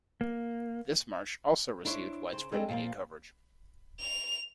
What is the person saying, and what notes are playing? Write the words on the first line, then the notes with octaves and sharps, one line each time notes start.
This march also received widespread media coverage.
A#3
D4 E4 C5 C#5
C#3 C5
G3 G#3 C4 D4 A4
A#2 F3 A#3
F7